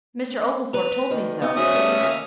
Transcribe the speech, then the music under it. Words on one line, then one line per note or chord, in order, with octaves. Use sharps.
"Mr. Oglethorpe told me so."
B4 A#5
D2 D#3
B3 D#4
F#2 F#3 C4 C#4 E5 D#6
G3 A3 B3
D#2 A#4 F5